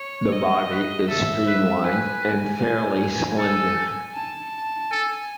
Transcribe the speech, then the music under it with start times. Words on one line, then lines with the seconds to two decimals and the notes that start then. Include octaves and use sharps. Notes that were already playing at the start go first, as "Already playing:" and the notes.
The body is streamlined and fairly slender.
Already playing: C#5
0.32 D#5
0.71 B4
1.08 A4 E5
1.47 B4
1.85 B4 G#5
3.38 A4
4.14 A5
4.91 A4 G#5